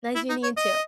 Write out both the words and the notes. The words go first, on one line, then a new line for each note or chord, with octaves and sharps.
Nice meeting you too.
E4
D#4
C#5
D#5